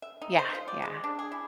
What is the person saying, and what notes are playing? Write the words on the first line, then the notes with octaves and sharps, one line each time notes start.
Yeah, yeah.
E5
D#4
C5
F4
D5
G#3
D4
G#4
E4